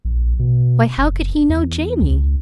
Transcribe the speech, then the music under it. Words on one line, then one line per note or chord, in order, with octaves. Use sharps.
"Why, how could he know Jamie?"
A#1
B2
F#1
E2
C#2